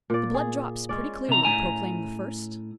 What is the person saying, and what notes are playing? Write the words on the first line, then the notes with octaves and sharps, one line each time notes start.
The blood drops pretty clearly, proclaimed the first.
A#2 D5
G#4
G#3 C#4 D5
C3 A#5
A2 G#5 A#5